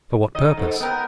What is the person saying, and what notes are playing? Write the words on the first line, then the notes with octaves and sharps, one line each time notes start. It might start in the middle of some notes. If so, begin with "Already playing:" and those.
"For what purpose?"
D#3 D#5
G#2 A4
B3 A#4 G5